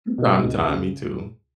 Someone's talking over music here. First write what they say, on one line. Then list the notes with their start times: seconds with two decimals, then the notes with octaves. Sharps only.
From time to time, me too.
0.18 B2
0.43 C#2
0.69 C#3